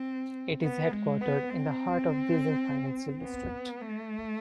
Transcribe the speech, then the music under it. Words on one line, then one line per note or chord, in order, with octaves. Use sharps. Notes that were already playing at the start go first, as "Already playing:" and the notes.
It is headquartered in the heart of Beijing financial district.
Already playing: C4
B3
G#3
B3
C4
B3
A3